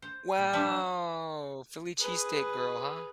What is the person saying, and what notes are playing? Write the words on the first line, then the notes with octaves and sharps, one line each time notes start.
Wow! Philly cheesesteak girl, huh?
C5
A#2
F3 D4 B4 C5 E5 F5
G#4 B4